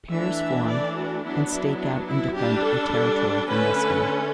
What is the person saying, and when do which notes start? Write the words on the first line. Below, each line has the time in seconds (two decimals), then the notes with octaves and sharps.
Pairs form, and stake out and defend a territory for nesting.
0.11 E3 A3 D4 E5
0.67 D5
0.96 F#4
1.23 F#3 B3 D4 E4
1.51 E4
1.79 D4
2.07 E4
2.35 G3 D4 G4
2.63 A4
3.48 D3 A3 C#4 B4